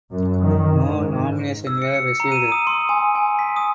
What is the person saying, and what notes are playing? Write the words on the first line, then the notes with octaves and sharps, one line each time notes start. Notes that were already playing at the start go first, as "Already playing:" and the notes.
No nominations were received.
F#2
D#3
G#2
E6
C#7
C#7
A#5
D#7
D#6
C6
G#5
G#5
B6
D#6